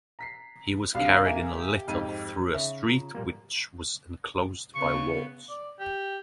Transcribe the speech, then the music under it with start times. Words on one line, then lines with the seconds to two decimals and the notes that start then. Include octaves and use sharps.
He was carried in a litter through a street which was enclosed by walls.
0.19 A#5 B6 C7
0.95 C2 D3 F5
1.25 A#3 E5 G#5
1.57 G4
1.88 F2 G#2 D#7
2.54 C#3 D#4 E5
2.87 F4 A#5
3.15 A#2 G3 A#3
4.75 C#3 B3 C#6
5.49 D5
5.79 G4